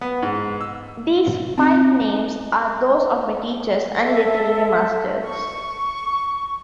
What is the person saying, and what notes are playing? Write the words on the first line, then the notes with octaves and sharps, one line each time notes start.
These five names are those of my teachers and literary masters.
B3
G#2
E6
C4 D#4
A4 E5
C#6